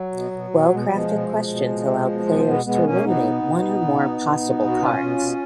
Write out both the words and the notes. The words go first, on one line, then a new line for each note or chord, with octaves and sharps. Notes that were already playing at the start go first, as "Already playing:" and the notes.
Well-crafted questions allow players to eliminate one or more possible cards.
Already playing: F#3
B2
B2
B2
B2 G#3
F#3
B2 F3 G#3
B2
B2
B2
B2
B2
B2
B2
A#3
B2 G#3 B3
B2 G#3 B3
B2 A#3 C#4
B2 B3 D#4
B2
B2
B2
B2
B2
B2
B2
B2
F#4
B2 C#4 F4
B2
B2